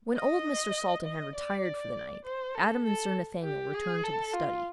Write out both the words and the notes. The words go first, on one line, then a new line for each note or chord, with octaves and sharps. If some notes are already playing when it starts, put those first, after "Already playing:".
When old Mr. Salton had retired for the night, Adam and Sir Nathaniel returned to the study.
D#5
D#5
D5
C5
A4
A4
G4
G#4
A4
F4